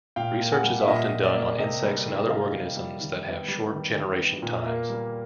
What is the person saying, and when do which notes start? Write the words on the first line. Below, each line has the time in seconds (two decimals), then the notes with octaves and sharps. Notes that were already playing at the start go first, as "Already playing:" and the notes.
Research is often done on insects and other organisms that have short generation times.
0.16 A#2 F5 G5
0.41 A#3
0.52 F#5 G#5
0.64 G3
0.81 E5
0.87 A#2 D#5
1.11 A#2
1.23 D5
1.35 A#3
1.59 C3 D#5
1.83 G3
2.06 E3
2.29 C3 D#5 F5
2.54 C3
2.77 G3
3.01 D#3
3.25 B3
3.48 G3
3.72 D#3
3.96 D#3
4.19 B3
4.42 A#2
4.66 A#3
4.90 G3